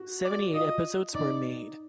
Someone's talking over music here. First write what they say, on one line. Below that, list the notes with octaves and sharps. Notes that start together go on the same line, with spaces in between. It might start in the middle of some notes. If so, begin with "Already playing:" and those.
Seventy-eight episodes were made.
Already playing: F#4
D5
F4 D#5
D#4 D5